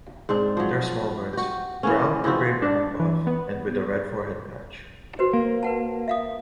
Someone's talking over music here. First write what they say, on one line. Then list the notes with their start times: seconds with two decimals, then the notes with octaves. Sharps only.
They are small birds, brown or grey-brown above and with a red forehead patch.
0.29 G#2 C4 D4
0.57 F3 F#3
1.33 F#4 G4
1.83 E3 A#3 C#4
2.24 E3 F3 C4 F#4
2.62 D4
3.00 E3
3.27 B3
5.19 F#4 B4 C5
5.33 A#3
5.63 B4 F#5 A5
6.08 E5 F5 D#6